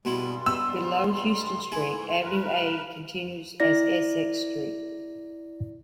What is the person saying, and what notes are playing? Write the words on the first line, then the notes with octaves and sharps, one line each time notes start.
Below Houston Street, Avenue A continues as Essex Street.
G2 B2 G3 G#3 B3 E4 C6
B3 E6
G#2 E3 E4 G#4
A#4 B4
E4 D5 A#6